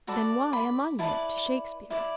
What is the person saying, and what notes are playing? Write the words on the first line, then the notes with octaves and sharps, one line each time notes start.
Then why a monument to Shakespeare?
F#4 A4 D5 B5
B5
E4 B4 D5 A5
E4 D5